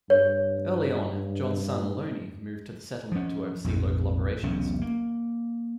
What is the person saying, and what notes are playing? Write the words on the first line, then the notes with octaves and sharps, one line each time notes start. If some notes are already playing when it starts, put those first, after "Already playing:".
Early on, John's son Aloney moved to the settlement to oversee local operations.
G2 C#5
F3 C#4
A#1 F2 G#2
E1 B1 C3 C#4
A#3